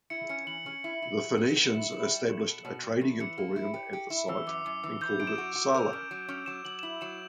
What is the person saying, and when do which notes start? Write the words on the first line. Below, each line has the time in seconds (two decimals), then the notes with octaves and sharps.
The Phoenicians established a trading emporium at the site and called it "Sala".
0.10 E4 C#7
0.29 C#4 C#7
0.47 E3 F#7
0.66 C#4
0.84 E4
1.02 E4
1.20 F#3
1.37 F#3
1.56 B3 E7
1.74 E4
1.92 E4
2.10 G3
2.28 E2
2.46 B2
2.65 B2
2.83 G3
3.01 E2
3.20 E3 C#7
3.38 A#3
3.56 E4
3.74 G4
3.93 G4
4.10 E4
4.28 E3 E6
4.47 F#2 D6
4.65 F#2 D6
4.84 E3 E6
5.01 E3 G6
5.20 F#2 D7
5.27 E7
5.36 F#4 D7
5.55 F#4
5.74 A#4
5.93 C#4
6.11 F#3
6.28 C#4
6.46 F#3 E7
6.65 F#3 F#7
6.79 E7
6.83 E4 F#7
7.01 F#3 E7